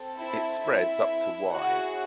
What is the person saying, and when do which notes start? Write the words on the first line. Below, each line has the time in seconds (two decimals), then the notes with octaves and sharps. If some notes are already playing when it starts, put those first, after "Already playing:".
It spreads up to wide.
Already playing: C4 A4
0.18 E4 E5
0.63 E4 E5
1.53 C#4 E4 F#4 G#4 F#5